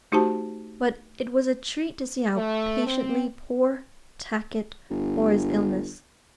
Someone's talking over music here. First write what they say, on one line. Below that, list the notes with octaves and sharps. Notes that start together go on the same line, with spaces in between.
But it was a treat to see how patiently poor Tacket bore his illness.
A3 D#4 F#4 G4 C5 A5
A3
C4
G1